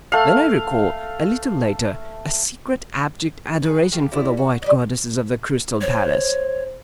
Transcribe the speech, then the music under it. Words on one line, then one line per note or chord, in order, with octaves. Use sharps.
Then I recall, a little later, a secret abject adoration for the white goddesses of the Crystal Palace.
A3 F5
G#4 A4 B4
A3 G4 F5
C3 G3 E4
F#4
G3 D5 D#5
C5 C#5